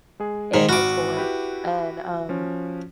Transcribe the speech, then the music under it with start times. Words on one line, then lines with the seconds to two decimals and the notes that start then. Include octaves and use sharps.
a high schooler, and, um,
0.20 G#3 G#4
0.54 G#2 D#3
0.69 G#1 F#4 B5 D6 F6
1.17 E4 G4 B4
2.29 F3 C#4